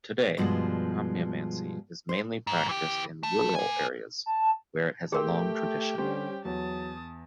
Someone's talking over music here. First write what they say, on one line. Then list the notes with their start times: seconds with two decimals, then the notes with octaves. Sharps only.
Today, cromniomancy is mainly practiced in rural areas where it has a long tradition.
0.37 G2 B2 F3 G3 G#3
2.09 C5
2.47 G#2
2.69 E3 G4
3.23 A3
3.55 A#4 G#5
4.26 A5
5.12 A3 G4 G#4 A#4 G5 C6
5.98 D3 G3 C#4 C5
6.45 E2 F#3 A5 D#6